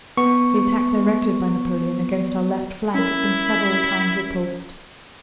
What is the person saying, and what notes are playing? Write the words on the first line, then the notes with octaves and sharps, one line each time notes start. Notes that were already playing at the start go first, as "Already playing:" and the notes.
The attack directed by Napoleon against our left flank had been several times repulsed.
B3 C#6
C#4 E4 A#4